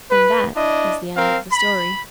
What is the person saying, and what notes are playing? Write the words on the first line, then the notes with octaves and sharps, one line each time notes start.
And that is the end of the story.
B4
D4 E4 D#5
C4 A#4 F5
B5